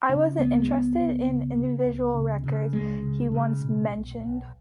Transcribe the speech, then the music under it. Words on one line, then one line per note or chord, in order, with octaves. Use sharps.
"I wasn't interested in individual records," he once mentioned.
C#3 C#4
C#2 B3
G#3
C#2 B3
C#2
C#3
C#3
C#2
C#3
C#3
C#2 G#3
C#3
C#3
B2
B1
B1